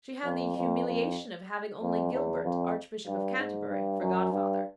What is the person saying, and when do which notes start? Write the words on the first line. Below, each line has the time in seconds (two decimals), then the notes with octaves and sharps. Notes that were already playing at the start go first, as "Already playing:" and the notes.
She had the humiliation of having only Gilbert, Archbishop of Canterbury, for godfather.
0.24 F2
0.56 F2
0.87 F2
1.82 F2
2.13 E2
2.44 F2
3.07 G2
3.38 G#2
3.69 G2
4.00 F#2
4.32 G2